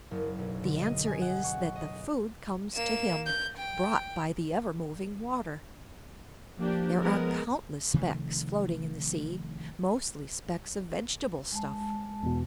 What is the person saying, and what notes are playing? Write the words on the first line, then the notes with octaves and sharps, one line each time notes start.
The answer is, that the food comes to him, brought by the ever-moving water. There are countless specks floating in the sea, mostly specks of vegetable stuff.
F#1
B1
D3
D#5
G#5
F#5
C#6
D#5
A#3 E7
G6
G5
F3 A#3 D4 G4
G#3 B3 A#4
C3 D#3 F3 A3
G#3 A5
E2 B2